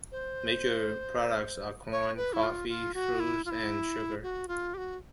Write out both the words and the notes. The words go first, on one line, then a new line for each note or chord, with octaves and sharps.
Major products are corn, coffee, fruits, and sugar.
C5
C#5
B4
E4
F4
F4
F#4
E4
F4
E4
F#4
F4
G4
F#4